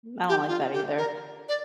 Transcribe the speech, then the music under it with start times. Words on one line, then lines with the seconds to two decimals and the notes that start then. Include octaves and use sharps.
I don't like that either.
0.29 G4
0.48 F4
0.73 G4
0.98 A#4
1.49 D5